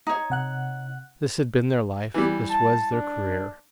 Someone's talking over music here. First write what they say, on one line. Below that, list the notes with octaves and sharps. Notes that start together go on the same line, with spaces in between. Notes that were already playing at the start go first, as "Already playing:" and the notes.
This had been their life; this was their career.
D#4 C#5
C3 F#5 F#6
E3 G3
A5
D4